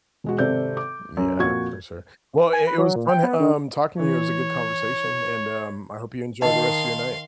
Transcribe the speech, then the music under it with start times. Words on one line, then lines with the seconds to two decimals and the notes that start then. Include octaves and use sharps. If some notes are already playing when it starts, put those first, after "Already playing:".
Yeah, for sure. Well, it it was fun e um, talking to you. It was a good conversation, and, um, I hope you enjoy the rest of your night.
0.24 E1 G#3 F#4
0.38 G#1 C3 A4 C5 D5 G6
0.77 D6
1.17 F#2
1.39 F2 A#2 F#4 C#6 G#6
2.53 G#5
2.67 B4
2.78 F#3
2.96 A#2
3.09 G5
3.23 B3
3.40 D3
3.99 E3 C#5
6.42 D#3 D#5 F5 A5 C6